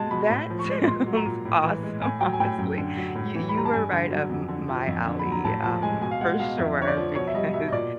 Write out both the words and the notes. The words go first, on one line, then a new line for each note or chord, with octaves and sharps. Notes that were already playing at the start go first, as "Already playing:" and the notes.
That sounds awesome, honestly. You you were right up m my alley, um, for sure, because
Already playing: B2 G#3 A5
B2 B5
A2
F3
C#6
G#3
A#2 C6
F#3
A#5
A#2
A2
E3
G#3
A2 G#5
F#3 G5
G#5
A2 G5
F#2
D3
F#3
A2
E3
B5
G3 A#5
A5
G2 G#5
D3
F#3
F2
D3
F3
F2
D3
B5
F#3
A#5
A2 A5
F3 A5
G#3 G#5
B2 G#5
F5
G#3 F#5
B2 F5
F2 E5
D3 C#5
D5
F3
B2 C#5
E5
G3 D#5
B2 E5
D#5
A#2 D5